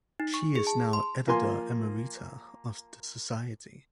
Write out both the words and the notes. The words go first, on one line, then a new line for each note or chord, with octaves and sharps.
She is now Editor Emerita of the Society.
D#4
C#6
G#4
A5
C6
F3 A#3 G#5 C6